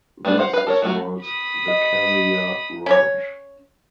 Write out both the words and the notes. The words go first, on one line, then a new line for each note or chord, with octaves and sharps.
This is called the carrier rod.
G3 A3 B3 D4
C5 F5 F#5
B4 F5
A4 A#4 C#5
F#3 A3 F4 F#4
B5 D#6
D#5
C#4 C#5